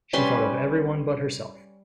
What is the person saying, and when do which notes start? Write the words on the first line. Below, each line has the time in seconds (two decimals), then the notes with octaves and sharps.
She thought of everyone but herself.
0.13 G3 C#4 B4 C6